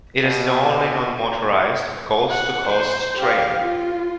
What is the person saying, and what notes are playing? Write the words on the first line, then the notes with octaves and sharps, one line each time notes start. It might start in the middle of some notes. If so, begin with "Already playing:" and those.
It is the only non-motorized coast-to-coast trail.
B2
F#5
C5
G4 F5
F4